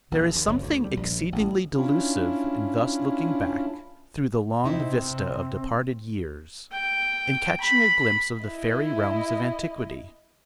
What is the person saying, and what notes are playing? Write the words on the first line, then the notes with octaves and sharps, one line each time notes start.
There is something exceedingly delusive in thus looking back, through the long vista of departed years, and catching a glimpse of the fairy realms of antiquity.
A#1
D#2
F#1
D2
G3
A#1
A1
C#4 D4 E4 F4
C3 C4 D#4 E4
C3
G5
B5
E4 D#5